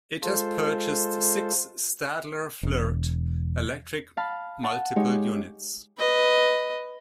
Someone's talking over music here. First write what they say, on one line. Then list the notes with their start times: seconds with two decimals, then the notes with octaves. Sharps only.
It has purchased six Stadler Flirt electric multiple units.
0.23 G#3 F4 A4 C5
2.63 E1
4.17 F5 A5 B5
4.63 F#5 A5
4.96 G#3 D#4 G4 C#5
5.98 B4 D#5